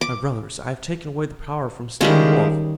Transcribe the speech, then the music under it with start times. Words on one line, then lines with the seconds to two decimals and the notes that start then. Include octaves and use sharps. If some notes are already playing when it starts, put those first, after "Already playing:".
My brothers, I have taken away the power from Standing Wolf.
0.01 D6
2.01 D#3 F3 G3 G#3 C#4 E4